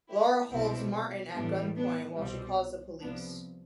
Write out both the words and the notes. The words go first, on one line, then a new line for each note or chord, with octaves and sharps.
Laura holds Martin at gunpoint while she calls the police.
E4 G4
C2 B2 G3 C4 E4
A2 E3 G3 B3 D4
B3 D4
C2 B2 G3 C4
C2 C3 F3 B3 D4